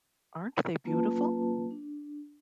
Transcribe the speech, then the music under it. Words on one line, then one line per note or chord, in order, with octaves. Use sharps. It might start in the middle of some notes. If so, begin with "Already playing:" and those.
Aren't they beautiful?
F#3 A#3 C#4 F4 B4 A5
D4